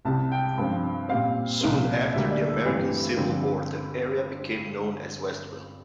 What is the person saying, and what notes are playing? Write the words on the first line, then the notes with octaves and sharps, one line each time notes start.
Soon after the American Civil War, the area became known as Westville.
C2 C3 G3 A5
G5
G2 F3 C4
A#2 G3 C4 F5
C2 A#2 F3 C4
D2 D3 G3 A#3 E5
D5
A4
G2 E3 A3 C4 G4
G2 D3 F3 C4